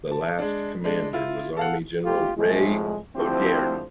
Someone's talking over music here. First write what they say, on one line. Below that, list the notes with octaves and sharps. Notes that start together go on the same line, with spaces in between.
The last commander was Army General Ray Odierno.
A5
G#3 D4
G#3 D4
E4 F4
A4 F5 F#5
C2 B2 A3 F4 G4
C2 A2 F3 G#3
D2 F3 C4 E4 G4 C5